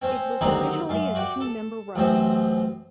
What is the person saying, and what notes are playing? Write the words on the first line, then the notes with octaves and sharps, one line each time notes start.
It was originally a two-member riding.
C4 C#4 C5
D#2 D3 F#3 C4 D#4 C6
F#2 F5 C6
F#4 D5 G5
A4
A1 F#2 C4 C5